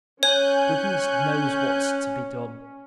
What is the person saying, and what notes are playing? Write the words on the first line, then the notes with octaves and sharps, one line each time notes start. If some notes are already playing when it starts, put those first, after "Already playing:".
Goodness knows what's to be done.
C#4 C#5 G#5 F#6 G6